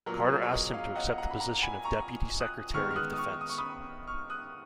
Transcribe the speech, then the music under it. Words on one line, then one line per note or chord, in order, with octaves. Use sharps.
Carter asked him to accept the position of Deputy Secretary of Defense.
A#2 F#3 B3 A#4
G#4 B4
C#5
B4 D#5
C#5 F5
D#5 F#5
F#5 A#5
B5
F#5 A#5
G#5 B5
A#5 C#6
D#6 F#6
D#3 G#3 B3 C#6 F6
F6
D#6 F#6
D#6
C#6 F6
D#6
C#6
B5 D#6
C#6 F6
D#6 F#6